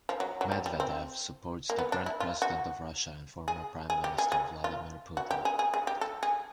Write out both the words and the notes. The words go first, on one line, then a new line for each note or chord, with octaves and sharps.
Medvedev supports the current President of Russia and former Prime Minister Vladimir Putin.
F3
F#3
F#3
G3
G3
C4
A#3
B3
D4
E4
F4
F#4
G#4
G#4
G4
G#4
G#4
F4
F#4
G4
G#4
G#4
G#4
G4
A4
G#4